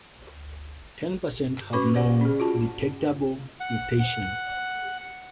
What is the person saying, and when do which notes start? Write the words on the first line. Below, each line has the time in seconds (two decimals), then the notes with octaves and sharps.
Ten percent have no detectable mutation.
1.73 C#4 F#4 B4 B5 C#6 D6
1.94 G4 C5 D5 F#5
2.21 C#4 G#4
2.40 F4 F#4 A5
3.60 F#5
4.00 F#5